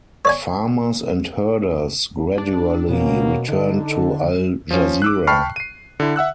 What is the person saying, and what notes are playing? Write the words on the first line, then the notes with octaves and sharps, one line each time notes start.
Farmers and herders gradually returned to Al Jazirah.
C#5 D5 G#5
D4
B2 F#3 A#3 C#4
D3 D#4 A4 D#5
F3 C#4
D6 E6 F#6
G5 A5 B5 C#6 F6 C7
C7 D#7
D3 E4
E5 F#5 E6 F#6